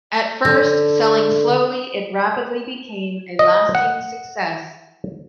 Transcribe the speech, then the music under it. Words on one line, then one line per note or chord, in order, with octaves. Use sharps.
At first selling slowly, it rapidly became a lasting success.
D3
D#5
F#5